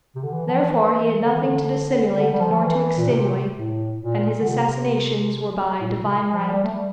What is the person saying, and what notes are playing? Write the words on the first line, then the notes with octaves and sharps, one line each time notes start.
Therefore he had nothing to dissimulate nor to extenuate, and his assassinations were by divine right.
C3
D3
E3
F3
E3
D3
E3
D3
D3
G3
F3
F3
E3
A#2
C3
A2
A#2
D3
C3
A2
A#2
C3
F3
G3
A3
G3